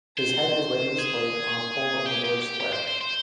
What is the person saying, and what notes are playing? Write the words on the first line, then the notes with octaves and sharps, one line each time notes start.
His head was later displayed on a pole in a village square.
C5
G#4
G4
G4
G4
G4
C5
C5
C5